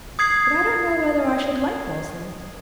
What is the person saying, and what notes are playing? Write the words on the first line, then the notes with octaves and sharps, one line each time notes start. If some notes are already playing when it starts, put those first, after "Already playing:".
But I don't know whether I should like Wellesley.
D#6 G#6 C7